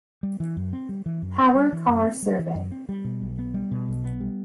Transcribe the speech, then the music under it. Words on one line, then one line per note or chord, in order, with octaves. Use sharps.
Power Car Survey.
G3
E3
F#2
C4
G3
E3
F#2
C4
G3
E3
F#2
C4
G3
E3
F#2
C4
G3
B2
B1
B3
G3
B2
B1
B3
G3